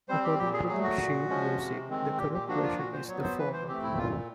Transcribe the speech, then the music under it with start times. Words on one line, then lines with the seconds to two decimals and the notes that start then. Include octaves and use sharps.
According to the sheet music the correct version is the former.
0.09 G3 C4 C5
0.24 G4
0.39 A#2 G4
0.53 G#4
0.69 F#3 A3 G#4
0.84 F#4
0.98 A#2
1.29 F3 G#3 C#4
1.58 C3
1.88 D#3 G#3 C4
2.18 A#2 G4
2.34 G4
2.48 F3 A#3 D4 F#4
2.64 F4
2.78 A#2 F#4
2.93 C5
3.08 F#3 B3 C#5
3.23 C5
3.38 E3 B4
3.53 C5
3.68 A3 C4 G4
3.83 E4
3.98 A#2 F4